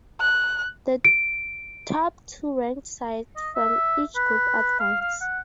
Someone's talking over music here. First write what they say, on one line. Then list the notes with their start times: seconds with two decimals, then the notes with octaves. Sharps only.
The top two ranked sides from each group advance.
0.21 F#6
1.05 D7
3.36 D#5
3.56 E5
4.16 B4
4.80 F5
5.01 F5
5.21 F#5